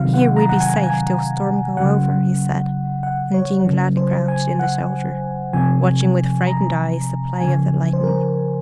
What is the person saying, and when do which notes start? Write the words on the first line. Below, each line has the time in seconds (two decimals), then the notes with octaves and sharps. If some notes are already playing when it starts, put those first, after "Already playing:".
"Here we be safe till storm go over," he said, and Jean gladly crouched in the shelter, watching with frightened eyes the play of the lightning.
Already playing: C3 D#3 F#3 F5
0.14 F#5
0.36 A#5
0.49 F#5
0.60 G#5
0.84 G#5
1.77 C#3 F#3 F#5
3.03 F#5
3.34 C#5
3.65 C#3 F#3
3.97 C5
4.28 G#5
4.59 F#5
5.53 C3 F3 G#5
6.47 A#5
7.40 C#3 F3 G#5
7.93 C5
8.04 A#4